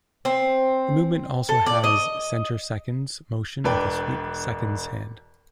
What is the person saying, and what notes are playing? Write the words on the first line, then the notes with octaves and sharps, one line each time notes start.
The movement also has centre seconds motion with a sweep seconds hand.
C4
A4
D5
D#5
E1 D4 B4 G5